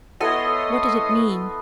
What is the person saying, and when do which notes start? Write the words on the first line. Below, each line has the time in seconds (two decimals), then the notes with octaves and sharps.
What did it mean?
0.20 B3 E4 A4 C#5 D#5 C6